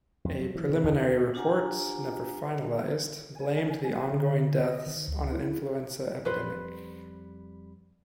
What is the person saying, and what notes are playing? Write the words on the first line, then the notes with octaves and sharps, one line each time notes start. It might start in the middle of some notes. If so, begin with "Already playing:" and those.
A preliminary report, never finalised, blamed the ongoing deaths on an influenza epidemic.
F2
F#3
E3
C3
D#2
D4 F4 G4 F#5 G#5 A#5
G#5
D3
D#5
D#3
D2
E4
F2 G3 B4 C5 B5